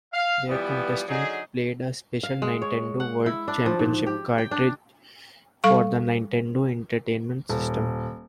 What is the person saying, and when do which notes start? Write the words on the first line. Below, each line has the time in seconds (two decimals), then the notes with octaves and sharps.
There, contestants played a special Nintendo World Championships cartridge for the Nintendo Entertainment System.
0.14 F5
0.48 E3 F3 G3 B3
1.08 D3 F#3 D#4 G#4
2.23 F5
2.42 G#3
2.62 C#5
3.00 F#5
3.26 E4
3.48 D4
3.66 F3
3.79 G#2
4.06 G4
4.38 G5
4.51 D4
5.64 G3 A4 F5 C#6
7.49 D#1